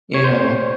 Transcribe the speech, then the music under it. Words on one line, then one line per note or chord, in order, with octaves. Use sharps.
you know,
C#5
C5